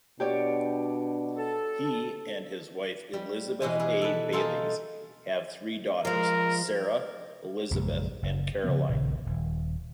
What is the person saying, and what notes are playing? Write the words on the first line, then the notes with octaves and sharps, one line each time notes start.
He and his wife Elizabeth A. Baylies have three daughters: Sarah, Elizabeth and Caroline.
B2 D4 G4 C#5 D5
A4
G3
B2 E3 G#3 G#5
E4 G#4
A4 B4
D#4 F4 G#4 A4
F3 G#3 A#4
A#1 F#2 C#3 G#3
F#1
C#3 F3 B3
D#1 A#1 C#3
D#1